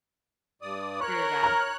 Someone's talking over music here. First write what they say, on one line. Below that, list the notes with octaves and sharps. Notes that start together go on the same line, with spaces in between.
For your dad.
G2 D5 D#6
A#4 C#5 C#6 F#6
A#5 F6